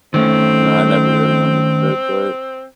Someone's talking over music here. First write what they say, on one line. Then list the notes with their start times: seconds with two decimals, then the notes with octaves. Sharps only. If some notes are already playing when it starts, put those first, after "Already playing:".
You know, I never really understood, but
0.14 D#3 A3 C4 C#4